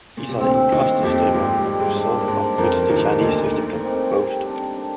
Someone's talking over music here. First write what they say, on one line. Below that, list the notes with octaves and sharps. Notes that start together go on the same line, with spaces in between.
These are the incontestable results of which the Chinese system can boast.
A#2
C3
D2 D3 C4
D#2 D#3 D#5
F2 F3 G4
G#2 G3 G#3
G3
G#2 G#3
D4
A#3
G#2 G#3 D4
F2 F3 A#4
D#2 D#3 D4
D2 D3 D#4
D#4
C4
G4
D4
D4